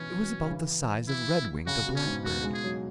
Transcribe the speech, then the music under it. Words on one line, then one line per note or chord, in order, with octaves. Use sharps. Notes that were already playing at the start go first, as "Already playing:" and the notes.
It was about the size of Redwing the Blackbird.
Already playing: B2 E3 C#4
F#3
C#3
E3
E4
C#3 F#4
B2
C#4
G#2
B2 F#4
G#3
G#4
F#3